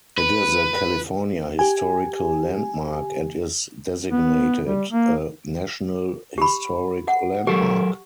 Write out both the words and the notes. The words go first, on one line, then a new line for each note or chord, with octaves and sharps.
It is a California Historical Landmark and is designated a National Historic Landmark.
B4
G4 G#5
B3
G3
A#3
G4 B5
F#5
F#3 G4 A4 A#4